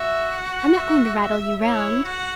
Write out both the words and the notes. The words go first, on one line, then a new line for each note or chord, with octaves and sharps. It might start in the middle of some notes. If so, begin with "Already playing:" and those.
I'm not going to rattle you round.
Already playing: F#4 E5
F#5
E5
E5
E4 C#5
F#4 F#5